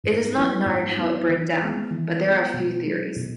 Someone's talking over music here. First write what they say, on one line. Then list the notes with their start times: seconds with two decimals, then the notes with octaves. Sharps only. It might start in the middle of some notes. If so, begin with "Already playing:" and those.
It is not known how it burned down, but there are a few theories.
0.04 G#2
0.34 F#3 B3 E4 B4
0.66 G#2
0.98 F#3 B3 E4 B4
1.29 E3
1.60 G#3 B3
1.91 E3
2.22 G#3 B3
2.53 B2
2.84 F#3 A3 E4 G#4
3.16 B2